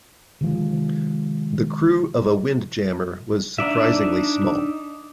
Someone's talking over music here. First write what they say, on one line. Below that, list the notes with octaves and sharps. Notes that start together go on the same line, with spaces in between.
The crew of a windjammer was surprisingly small.
C3 D#3 F3 G#3
D4 D#4 D5 E5